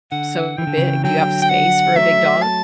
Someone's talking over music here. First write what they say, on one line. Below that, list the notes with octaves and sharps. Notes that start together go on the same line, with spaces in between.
so big? Do you have space for a big dog?
D3 F#5
E3 G5
D3
C#3 E3
D3 F#3 G5
G5
F#5
F#3 A3 E5
A5